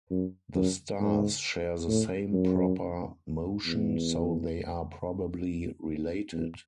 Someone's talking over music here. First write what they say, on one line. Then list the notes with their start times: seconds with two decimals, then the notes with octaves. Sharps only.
The stars share the same proper motion so they are probably related.
0.10 F#2
0.55 F#2
1.00 G#2
1.88 A2
2.33 F#2
3.66 E2
6.33 E2